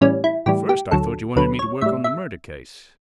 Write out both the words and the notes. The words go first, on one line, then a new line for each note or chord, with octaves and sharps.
First I thought you wanted me to work on the murder case.
A2 E3 G3 C#4
E4
A2 E3 G3 G4
G4
D2 D3 F#3 A4
D2 D3 F#3 B4
C#5
A2 G3 E5
E5